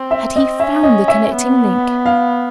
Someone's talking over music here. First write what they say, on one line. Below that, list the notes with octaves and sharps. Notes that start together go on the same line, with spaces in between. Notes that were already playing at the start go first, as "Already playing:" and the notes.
Had he found the connecting link?
Already playing: C4
E5
D#5
C#4 E5
D#5
E5
B3
F5